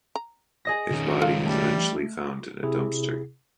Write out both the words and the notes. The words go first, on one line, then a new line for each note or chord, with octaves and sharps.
His body is eventually found in a dumpster.
A#5
G#4 D#5 A#6
D#3 C#4
F4 A4
G3 A3
C3 E4 G#4